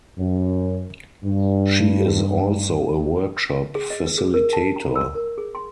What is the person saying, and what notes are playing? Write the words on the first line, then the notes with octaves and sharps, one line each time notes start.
She is also a workshop facilitator.
F#2
G2
G#4
D#5
B4
G#4
A#4
A5
A#5
E6
A#4
G#4
C6